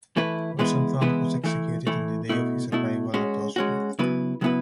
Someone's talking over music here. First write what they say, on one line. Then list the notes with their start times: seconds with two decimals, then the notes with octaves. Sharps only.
Rosenthal was executed on the day of his arrival at Auschwitz.
0.17 E3 A3 E4 B4
0.59 E3 G#3 B3 E4 B4
1.01 E3 G#3 B3 E4 B4
1.44 E3 A3 E4
1.87 E3 A3 E4
2.29 B2 A3 E4
2.72 B2 A3 E4
3.14 G#3 C#4 F#4
3.56 G#3 C#4 F#4
3.99 C#3 F#3 B3 E4 B4
4.41 C#3 F#3 B3 E4 B4